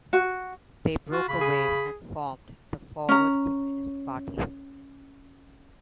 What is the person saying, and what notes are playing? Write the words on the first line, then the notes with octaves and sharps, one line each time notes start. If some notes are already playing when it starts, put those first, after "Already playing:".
They broke away and formed the Forward Communist Party.
F#4
F4 F#4
C#3 B5
G#4
C#4 A#5